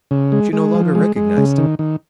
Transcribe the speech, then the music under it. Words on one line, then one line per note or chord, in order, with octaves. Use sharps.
She no longer recognized it.
C#3
G#3
G#3
F3
G#3
G#3
C#3
D#3
D#3